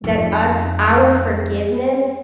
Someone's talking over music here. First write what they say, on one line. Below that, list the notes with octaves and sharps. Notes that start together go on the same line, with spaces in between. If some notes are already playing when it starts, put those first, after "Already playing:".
that us our forgiveness
F2 D#4